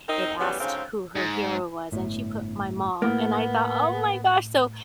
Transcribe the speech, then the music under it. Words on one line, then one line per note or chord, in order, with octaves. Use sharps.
it asked who her hero was, and she put "My mom," and I thought, "Oh my gosh." So
C4 D#4 A#4
C#3 E3 F#3 G3 B3 C#4
D2 G#2 C#3 C4 C#4 F5
G#2
G1 A2
A2 A#3 B3